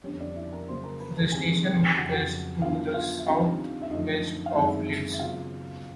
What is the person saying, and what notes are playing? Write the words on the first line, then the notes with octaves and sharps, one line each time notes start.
The station is to the south west of Leeds.
F2 D3 G3 B3 C#4 D4 C#5
D4 D5
E4 E5
A#4 A#5
C#3 F#3 A#3 C#4 C5 C6
A#4 A#5
B4 B5
A4 A5
C3 D#3 G3 C4 G#4 G#5
G4 G5
F2 C#3 F#3 F#5
G5
F#4 F#5
D3 F#3 B3 D4 F4 F5
F4 F5
E5
D3 G3 C4 D#4 F4 F5
E5
F#2 D3 F3 A3 D#4 D#5
F5
F#2 D#3 G#3 C4 D#4 E4 E5
E5
C#3 F#3 B3 F4 F5